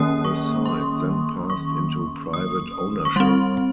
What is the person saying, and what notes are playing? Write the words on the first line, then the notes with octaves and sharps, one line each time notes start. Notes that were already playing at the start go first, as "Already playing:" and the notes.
The site then passed into private ownership.
Already playing: D#3 A#3 C#4 D#6
C#6
C6
C#6
D#6
C#6
G3 C4 C6